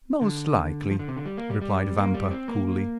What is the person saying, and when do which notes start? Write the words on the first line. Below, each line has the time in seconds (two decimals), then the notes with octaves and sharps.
"Most likely," replied Vampa coolly.
0.21 D3
0.91 F3
0.99 D3
1.08 C3
1.16 D3
1.26 G3
1.37 A#3
1.50 G3
1.61 G3
1.97 A#3
2.14 G3
2.31 C4
2.48 A#3